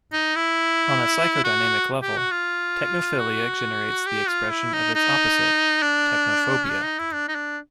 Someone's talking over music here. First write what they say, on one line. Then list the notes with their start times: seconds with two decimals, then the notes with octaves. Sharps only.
On a psychodynamic level, technophilia generates the expression of its opposite, technophobia.
0.13 D#4
0.36 E4
1.44 F#4
2.03 G4
2.17 F#4
2.31 F4
3.19 F#4
4.07 G4
4.28 F4
4.51 E4
4.73 D#4
4.95 D#4
5.82 D4
6.65 C#4
6.70 D4
6.85 D#4
6.99 E4
7.13 D4
7.28 D#4
7.35 D4